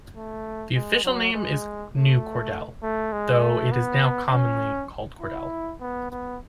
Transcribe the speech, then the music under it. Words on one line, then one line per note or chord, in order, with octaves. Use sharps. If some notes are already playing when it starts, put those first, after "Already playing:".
The official name is New Cordell, though it is now commonly called Cordell.
A3
G#3
F#3
G#3
A3
A3
G#3
A3
B3
C#4
E4
B3
B3